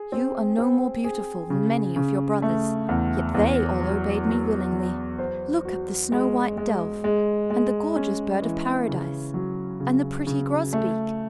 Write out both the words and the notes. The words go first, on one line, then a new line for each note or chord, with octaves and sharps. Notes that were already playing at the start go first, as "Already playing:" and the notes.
You are no more beautiful than many of your brothers, yet they all obeyed me willingly. Look at the snow-white Dove, and the gorgeous Bird of Paradise, and the pretty Grosbeak.
Already playing: G#4
C4
C4
G#4
C#3
C#3
A3
E2
E2
F#3
F#3
F#3
C5
F#4
G#3
G#3
G#3
G#3
C#4
E3
C#3
F#3
C#3
C#3
A3